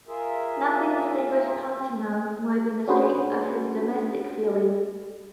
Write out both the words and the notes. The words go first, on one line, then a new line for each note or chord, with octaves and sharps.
Nothing distinguished Pontano more than the strength of his domestic feeling.
F4 G#4 A#4 E5
C#4 D4 F#4 G#4 B4 C5